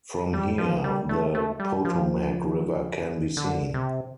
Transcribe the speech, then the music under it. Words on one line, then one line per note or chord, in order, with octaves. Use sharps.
From here, the Potomac river can be seen.
G3
F3
G3
A3
A3
G3
F3
D3
C3